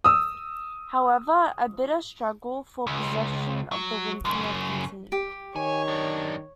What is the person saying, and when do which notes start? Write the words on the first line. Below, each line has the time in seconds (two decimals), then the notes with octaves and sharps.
However, a bitter struggle for possession of the windmill continued.
0.04 D#6 E6
2.87 C#2
3.72 F#3
4.25 F#2 C#3
5.12 G4
5.56 D#3 C#5 G#5
5.88 F#2 D4